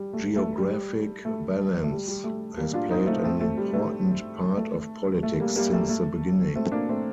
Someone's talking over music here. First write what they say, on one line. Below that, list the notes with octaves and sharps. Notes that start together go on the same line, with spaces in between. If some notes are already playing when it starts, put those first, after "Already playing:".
Geographic balance has played an important part of politics since the beginning.
Already playing: G3
A3
A3
G3
A3
A3
G3
G3
A3
G3 A#3
D4 F4
C4 D#4
A3 C4
A3 C4
A3
G3
A3
A3
A3
G3 A#3
G3 A#3
A3
A3
A3 C4
A#3 D4
A3 C4